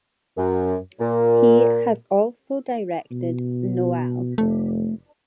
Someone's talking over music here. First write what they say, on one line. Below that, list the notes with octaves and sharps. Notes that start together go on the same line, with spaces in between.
He has also directed "Noel".
F#2
A#2
B2
F1 A3